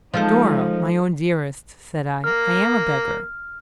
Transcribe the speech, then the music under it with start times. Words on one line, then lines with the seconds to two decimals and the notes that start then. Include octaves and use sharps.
'Dora, my own dearest!' said I. 'I am a beggar!'
0.14 F3 G#3 D#4 F4 A4 C5
2.24 A#3 F6